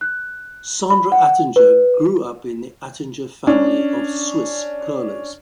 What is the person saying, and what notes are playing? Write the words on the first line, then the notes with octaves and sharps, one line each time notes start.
Sandra Attinger grew up in the Attinger family of Swiss curlers.
F#6
B5
F#5
B4
C#4 D4